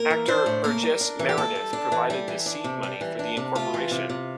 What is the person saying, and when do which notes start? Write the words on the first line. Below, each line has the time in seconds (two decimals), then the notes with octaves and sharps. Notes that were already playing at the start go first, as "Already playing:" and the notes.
Actor Burgess Meredith provided the seed money for the incorporation.
Already playing: A#3 A#4
0.10 E3
0.28 D4 C5
0.46 A2
0.64 A#3 A#4
0.83 G3
1.01 D4
1.19 E3
1.29 G4
1.37 A#3 A4
1.55 G3
1.73 D4
1.92 E3
2.10 G3
2.28 E3
2.46 D4
2.64 C3
2.83 G3
3.01 E3
3.19 D4
3.37 C3
3.55 A3 F4
3.74 E3
3.91 C3
4.09 C3